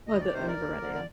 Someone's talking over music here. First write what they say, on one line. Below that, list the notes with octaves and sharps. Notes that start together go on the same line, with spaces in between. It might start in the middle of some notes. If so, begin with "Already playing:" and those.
We the, I never read it, yeah.
D2 D#5
D5
C3 D#3 C5
A#4 D5
D#2
D3
D5